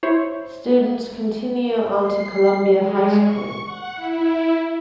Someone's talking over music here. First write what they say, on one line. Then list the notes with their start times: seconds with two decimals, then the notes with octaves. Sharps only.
Students continue on to Columbia High School.
0.03 E4 C5 C#5
2.02 C7
2.72 G#3
3.20 C#6
3.63 F#5
3.94 E4